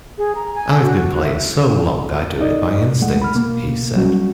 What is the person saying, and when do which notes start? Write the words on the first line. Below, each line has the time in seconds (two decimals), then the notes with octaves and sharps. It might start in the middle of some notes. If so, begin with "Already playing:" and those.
"I've been playing so long I do it by instinct" he said.
0.18 G#4
0.35 A#5
0.55 G#5
0.83 F#4
1.22 E5
2.40 D#4 D5 D#5
3.01 E2 G#3 A3 F#5
3.22 B5 F6
3.35 B2 A#3
3.96 F#3 G3 C#4 F#4